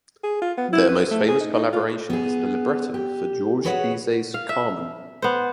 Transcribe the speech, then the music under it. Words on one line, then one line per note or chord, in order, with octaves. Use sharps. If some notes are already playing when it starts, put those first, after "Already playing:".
Their most famous collaboration is the libretto for Georges Bizet's "Carmen".
G#4
F4
B3
E4
B4
A3
G#4
D#4
D#4
F4
B3 G#4
G4
F#4 G#4 B4 C#5 F#5
F5
E5
B3 C5